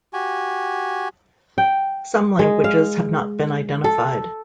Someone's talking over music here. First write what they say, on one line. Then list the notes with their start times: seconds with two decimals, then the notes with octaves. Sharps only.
Some languages have not been identified.
0.13 F#4 G4 G#5
1.58 G5
2.39 G#3
2.64 F5
3.84 A4